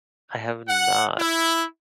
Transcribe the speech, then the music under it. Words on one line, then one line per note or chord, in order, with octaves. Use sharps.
I have not.
F#5
E4